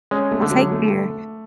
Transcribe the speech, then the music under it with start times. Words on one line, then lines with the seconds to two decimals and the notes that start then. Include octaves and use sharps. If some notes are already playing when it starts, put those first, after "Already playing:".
Well take care,
0.11 G#3 C#4
0.31 A3
0.42 D3
0.51 F#3
0.72 A3